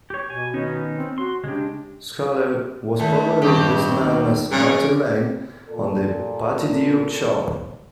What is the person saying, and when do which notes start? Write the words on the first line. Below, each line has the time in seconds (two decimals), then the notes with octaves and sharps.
Schallert was probably best known as Martin Lane on "The Patty Duke Show".
0.10 G4 C#5
0.30 B2 G#5
0.54 D#3 B3 C#4 D#4
0.96 C4
1.18 F#4 C6
1.44 C#3 G#3 D4 G4
2.99 D#2 A3
3.42 G2 D#3 C4 G4
4.00 D#2
4.51 F2 C#3 A#4
5.68 A#2 A4